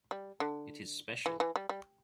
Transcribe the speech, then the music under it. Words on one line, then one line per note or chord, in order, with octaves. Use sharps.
It is special.
G3
D3
E3
E3
G3
G3